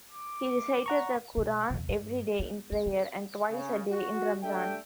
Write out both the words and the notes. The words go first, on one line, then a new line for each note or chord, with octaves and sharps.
He recited the Qur'an every day in prayer, and twice a day in Ramadan.
D6
F#5 A#5 C#6
B2
E2 B2
G2
B3
C#4
C4
C#3
F#4
G3 A3 D4 E5 G5